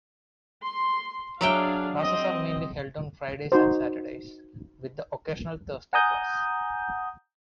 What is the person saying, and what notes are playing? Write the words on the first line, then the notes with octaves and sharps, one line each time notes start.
Classes are mainly held on Fridays and Saturdays, with the occasional Thursday class.
C6
F#3 D4 G#4 E5 F5 G5
C4 D#5
D#4 F#4 C5
F#5 G#5 A#5 D#6 G6